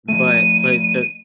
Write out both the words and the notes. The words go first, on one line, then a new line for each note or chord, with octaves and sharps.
But but the
F3 A3 D#7